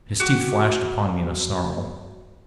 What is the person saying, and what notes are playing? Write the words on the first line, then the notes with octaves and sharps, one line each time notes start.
His teeth flashed upon me in a snarl.
F#4 G4